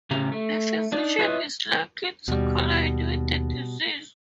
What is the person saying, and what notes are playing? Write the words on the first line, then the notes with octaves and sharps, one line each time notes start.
The physician is likely to collide with the disease.
A2 C#3 C#4 G4 A#5
A3
D4 D#4 D5
E4 F4 B4 C#5 D#5 E5
D#2 B2 G3